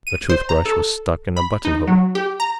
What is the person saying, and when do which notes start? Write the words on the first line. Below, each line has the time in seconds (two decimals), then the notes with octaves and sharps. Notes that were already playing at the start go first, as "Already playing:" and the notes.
A toothbrush was stuck in a buttonhole.
0.07 D#7
0.30 C5
0.49 A#5
0.65 A4
1.37 B5
1.65 D#4
1.87 F#3
2.15 G4
2.40 A#5